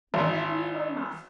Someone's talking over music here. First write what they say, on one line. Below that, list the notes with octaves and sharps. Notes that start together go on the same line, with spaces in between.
They led me away masked.
G#1